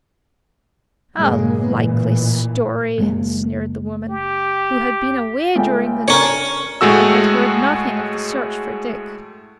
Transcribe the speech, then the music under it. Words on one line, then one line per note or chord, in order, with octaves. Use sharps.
"A likely story!" sneered the woman, who had been away during the night and had heard nothing of the search for Dick.
G2 A#2 C#3 F#3 G#3 A#3
A1 A#2 E3
F#1 G#3 A#3
G4
C#2 A3 G5
C#4 D4 A#4 C#5
A2 G#3 A3 F#4 E6